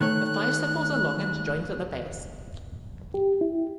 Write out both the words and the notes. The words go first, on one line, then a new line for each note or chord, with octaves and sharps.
The five sepals are long and joined at the base.
D#3 A3 C#5 F#6
G4
E4